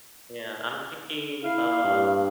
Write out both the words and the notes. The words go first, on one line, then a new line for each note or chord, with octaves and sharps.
Yeah, I'm thinking uh
E4 F5
G2